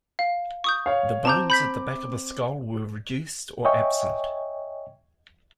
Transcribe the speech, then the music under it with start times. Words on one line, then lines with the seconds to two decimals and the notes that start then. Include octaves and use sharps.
The bones at the back of the skull were reduced or absent.
0.19 F5
0.64 C#6 D#6 G6
0.86 C#5 F5
1.25 C4 A5 A#5 D6 G6
1.50 B5 G6 B6
3.65 C#5 D#5 E5 G5 G#5 C#6